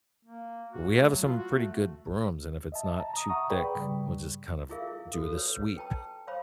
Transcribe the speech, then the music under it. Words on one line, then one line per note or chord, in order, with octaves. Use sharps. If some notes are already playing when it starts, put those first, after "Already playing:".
we have some pretty good brooms, and if it's not too thick, we'll just kind of do the sweep.
A#3
F#4
A3
F#3
F4
F#4
A3
D#5 E5 A5
A5 A#5
A#5 D#6
E5 F#5 A#5 C#6 D#6
G#4 B4 D5 G5 B5 C#6
G2 C#3 G3
E4 F4 G#4 A#4 E5 F5
E4
F#4 A4
B4 C#5
B4 G5 A5 A#5
C5 C#5 F5 A#5 B5